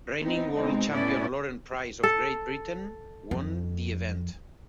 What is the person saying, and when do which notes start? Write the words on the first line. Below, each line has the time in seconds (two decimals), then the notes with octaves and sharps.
Reigning World Champion Lauren Price of Great Britain won the event.
0.19 B3 C4 D#4
0.54 B2 G#3 C4 D#4
0.89 A2 A3 B3 C#4 E4 D5
2.03 A4
3.31 F2